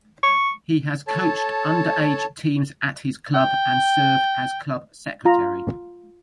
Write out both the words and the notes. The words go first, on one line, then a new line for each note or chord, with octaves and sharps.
He has coached underage teams at his club and served as club secretary.
C#6
A4 C#5 A5
G5
F4 A#5